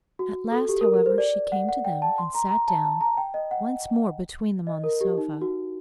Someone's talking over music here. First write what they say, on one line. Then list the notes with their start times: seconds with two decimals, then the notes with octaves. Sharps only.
At last, however, she came to them, and sat down once more between them on the sofa.
0.19 F#4
0.52 A4
0.69 G4
0.81 A#4
0.94 A#4
1.06 C5
1.18 D5
1.52 F#5
1.69 F#5
1.85 G5
2.02 A5
2.18 C6
2.34 A#5
2.51 A#5
2.68 A5
2.85 A5
3.01 A#5
3.18 G5
3.34 D#5
3.51 F#5
4.67 D#5
4.84 A#4
5.01 G4
5.18 D#4
5.42 F#4